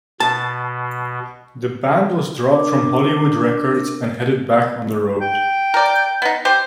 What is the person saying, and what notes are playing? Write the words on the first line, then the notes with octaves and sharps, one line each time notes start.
The band was dropped from Hollywood Records and headed back on the road.
B2 A5
D4 A#4 D6
G5
A#4 D5
B3 D#4
G4 C5